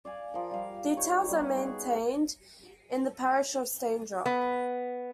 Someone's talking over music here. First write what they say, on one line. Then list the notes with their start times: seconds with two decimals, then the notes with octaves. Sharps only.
Details are maintained in the parish of Staindrop.
0.05 D5 F5 G#5
0.34 F3 A#4
0.51 G3 F5
0.97 D#4 G4 A#4 C#5
1.29 G3 B3
1.56 F#4 G#4
4.26 B3